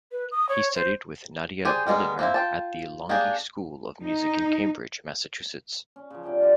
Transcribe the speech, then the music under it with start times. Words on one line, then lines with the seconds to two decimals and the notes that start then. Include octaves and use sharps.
He studied with Nadia Boulanger at the Longy School of Music in Cambridge, Massachusetts.
0.12 B4
0.32 D#6
0.49 C#5
0.75 C5
1.65 G4 G#4 C5 D5 G#5
1.87 G3 G#3 B3 A#4
2.19 A#3 C4 E4
2.34 F4 G5 A5
3.09 A#3 D4 G4 G#4
4.04 D#4
5.96 C#4
6.10 C#3 F3
6.23 C3 D4 D5 G5
6.41 D3 G3 F#4 F5